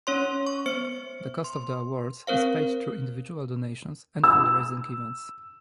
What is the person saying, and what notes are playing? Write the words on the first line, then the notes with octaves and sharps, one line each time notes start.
The cost of the awards is paid through individual donations and fundraising events.
C#4 C#5 C6
C#6
B3 C5 C#7
C6
C4 A#4 C5 F5
E6